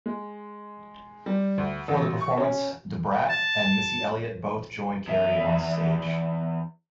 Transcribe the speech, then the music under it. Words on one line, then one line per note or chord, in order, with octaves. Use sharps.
For the performance, Da Brat and Missy Elliott both joined Carey on-stage.
G#3
G3
D2
A1
C#6
C#4
A5
E2 E5